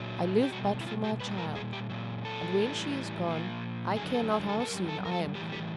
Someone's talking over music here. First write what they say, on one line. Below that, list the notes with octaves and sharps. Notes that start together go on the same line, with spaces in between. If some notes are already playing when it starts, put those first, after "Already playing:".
I live but for my child, and when she is gone, I care not how soon I am called.
Already playing: A#2 F#3
G4
B2 G3 F#4
E4
F4
G4
A#2 G3 B4
A#4
G#4
G4
A#2 F#3
A4
A2 E3 G3
A#2 F3
F#2 D3 F#3 G#4
A4
G#4
A4
A4
F#2 D#3 G3 A#4
A4
A#4
A4
A2 E3 G3 G4
G4